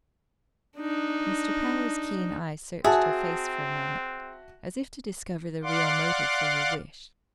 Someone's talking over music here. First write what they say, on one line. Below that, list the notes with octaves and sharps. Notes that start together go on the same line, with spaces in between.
Mr. Power's keen eye searched her face for a moment, as if to discover the real motive for her wish.
D4 D#4
C4 F#4 G#4 E5 A5
D5 F5 F#5 C6 D6